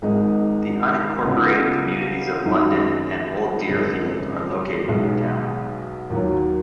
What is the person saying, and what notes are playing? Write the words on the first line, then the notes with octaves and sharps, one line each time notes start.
The unincorporated communities of London and Old Deerfield are located in the town.
G#1 G#2 G#3 D#4
C#2 C#3 B3 D#4
F#1 F#2 D#3 F#3 D#4
G#1 F#2 C#3 G#3 D#4
B1 B2 G#3 D#4
D#2 D#3 F#3